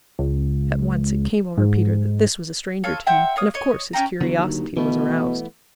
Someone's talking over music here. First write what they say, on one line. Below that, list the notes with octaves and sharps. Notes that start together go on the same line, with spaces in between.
At once it came over Peter that this was a stranger to him, and of course his curiosity was aroused.
C#2
G#2
F4 A4 C#5
C5 E5 F#5 G5
F4 C#5 D#6
C#5 D#5
C#4 F4 G5 A#5
E2 D3 F#3
D#2
B2 E3 A3 B3